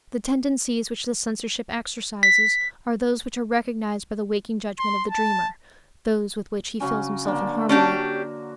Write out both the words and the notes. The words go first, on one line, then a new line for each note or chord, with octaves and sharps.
The tendencies which the censorship exercises are those which are recognized by the waking judgment of the dreamer, those with which he feels himself in harmony.
B6
C6
A5
C#3 F#3 C#4
D3 A#3
C#4 D4 F#4 G4